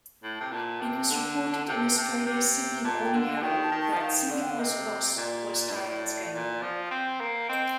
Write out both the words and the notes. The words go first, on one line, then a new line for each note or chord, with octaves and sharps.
It was reported in Australia's Sydney Morning Herald that Singapore's loss was Thailand's gain.
A2
A5
C3
A#2 A5
C3
D3
C3
C3
C3
A#2 A5
G5
D3
F5
A5
D#3 G5
A5
D#3
A5
F3
D#5
D#3 F5
D3 D5
G5
F5
C3 D#5
A#2 D5
G2
A2
A#2
F3
C4
A#3
C4 D#5